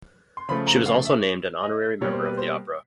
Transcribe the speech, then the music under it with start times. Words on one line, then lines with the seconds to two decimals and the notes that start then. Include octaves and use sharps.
She was also named an honorary member of the opera.
0.37 C6
0.49 C#3 F3 A3 B5
0.67 A#5
0.86 F5
1.05 E5
1.63 D#5
2.01 B2 G3 A#3 C#5
2.13 C5
2.25 B4
2.37 C5